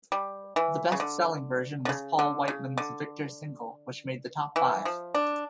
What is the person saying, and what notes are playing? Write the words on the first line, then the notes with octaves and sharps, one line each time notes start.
The best-selling version was Paul Whiteman's Victor single, which made the top five.
G3
E3
C#3
D3
D3
C#3
D3
C#3
D3
E3
F3
D4